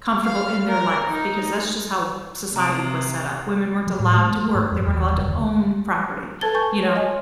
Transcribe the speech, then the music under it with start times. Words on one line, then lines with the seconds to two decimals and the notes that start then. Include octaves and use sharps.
comfortable in their life because that's just how society was set up. Women weren't allowed to work, they weren't allowed to own property, you know?
0.24 F5
0.68 A#4
1.08 D#4
2.56 C3 A#5 D#6 D7
3.87 F#3
3.99 A2
4.18 G#3
4.31 A3
4.55 G#2
4.72 F2
4.87 E2
5.02 E2
5.14 F1
5.27 D2
6.41 A4 B4 A5 G#6 A6 G7
6.54 G#5 C#6 G6
6.83 C#5
6.96 D#5 G#5